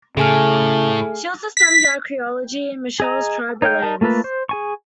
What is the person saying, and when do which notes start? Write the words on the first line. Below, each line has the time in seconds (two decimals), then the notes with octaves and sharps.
She also studied archaeology in Michelle's tribal lands.
0.17 A2 C#3 A3 G#4 G#5 F6
1.57 B6
3.00 G#4 D#5 A#5
3.62 D#4 C#5 F5 G5 G6
3.82 D#4 A#4 A5
4.01 A3 A#3 F4 A4 B4
4.24 C5
4.49 G#4 G#5 C#6